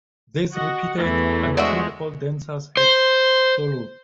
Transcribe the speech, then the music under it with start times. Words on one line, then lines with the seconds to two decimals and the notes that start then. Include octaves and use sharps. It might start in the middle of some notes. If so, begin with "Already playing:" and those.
This repeated until all dancers had soloed.
0.53 F#4 D#5 F#5
0.97 E2 E3 A3
1.57 G#3 D4 F#4 C5 E5
2.77 C5